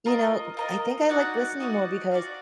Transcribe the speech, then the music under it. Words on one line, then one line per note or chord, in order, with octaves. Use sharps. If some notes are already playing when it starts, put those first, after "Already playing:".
you know, I think I like listening more because
F4 A#4 D#5
F4 A#4 D#5
D#4 F#4 D5 F#5
D#4 F#4 D5 F#5
F#4 D5 F5